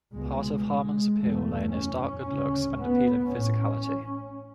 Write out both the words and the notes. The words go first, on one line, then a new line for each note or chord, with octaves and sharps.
Part of Harman's appeal lay in his dark good looks and appealing physicality.
C#2 B2 G#3
G#3
F#1 E2 B2 A3
C#4
D2 C#3
B3
A1 A2 C#4